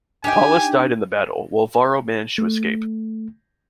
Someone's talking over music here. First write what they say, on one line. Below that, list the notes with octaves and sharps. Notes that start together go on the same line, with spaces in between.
Paullus died in the battle, while Varro managed to escape.
D4 D#4 G4 G5 G#5
A3